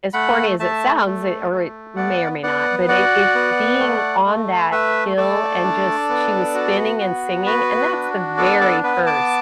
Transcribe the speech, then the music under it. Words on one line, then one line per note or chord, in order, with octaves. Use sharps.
as corny as it sounds, it or it may or may not, but it it being on that hill, and just she was spinning and singing, and that's the very first,
A3 F#5 B5
A3 E5 A5
A3
A3
B3 D5 F#5
B3 D5 F#5
F#4 D5 F#5
B3
A3
A3
A3 B4 E5
A3 A4 D5
D4
B3
F#4
B3
F#4 B4
D4
B3 A4 D5
A4 D5
B3 B4
A5 D6